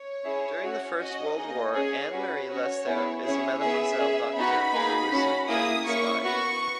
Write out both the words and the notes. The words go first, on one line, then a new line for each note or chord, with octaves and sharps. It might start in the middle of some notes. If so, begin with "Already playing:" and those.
During the First World War, Anne-Marie Lesser is Mademoiselle Docteur, elusive German spy.
Already playing: C#5
C#4 E4 G#4
C#4 F#4
C#4 F#4 D#5
A#3 D#4 G#4 D#5
C#4 G#4 C#5
C#4 F#4 B4
C#4 F#4 C#5
B3 E4 G#4
C#4 E4 G#4 C#5
B3 E4 G#4 E5
C#4 G#4
B3 D#4 F#4 B5
A#3 D#4 G#4
C#4 F#4
A#3 E4 G#4 D#6
A#3 C#4 E4 C#6
B3 F#4 C#6